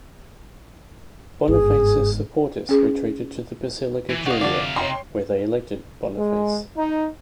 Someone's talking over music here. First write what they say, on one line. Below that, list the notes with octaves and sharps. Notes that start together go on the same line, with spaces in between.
Boniface's supporters retreated to the basilica Julia, where they elected Boniface.
G1 G#2 G#4
C#4 G#4
E3
C3 F#4 D#5 F5
D3 F3 D4 F#4 D5
D#4 C#5 G5 C6
G#3
D#4